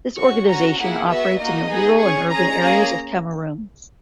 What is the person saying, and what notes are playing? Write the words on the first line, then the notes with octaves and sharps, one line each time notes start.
This organisation operates in the rural and urban areas of Cameroon.
C#4 F#4 C#6
C#4 F#4 A#5
A#3 E4 G#4 F#5
B3 F#4 E5
A#3 D#4 F#4 D#5
B3 D#4 G#4
C#4 G#4 C#6
C#4 G#4 A#5
A#3 C#4 G#4